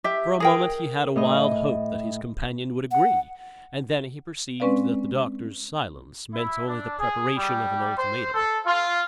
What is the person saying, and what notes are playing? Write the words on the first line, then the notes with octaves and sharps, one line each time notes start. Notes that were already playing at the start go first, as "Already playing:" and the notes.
For a moment he had a wild hope that his companion would agree, and then he perceived that the doctor's silence meant only the preparation of an ultimatum.
G4 E5
G#4 A#4 G5
A2 D#5
F#5
G#3 C4 C#4 B4 D5 F5
E4
D4
G#4
G3
C5
A4
F4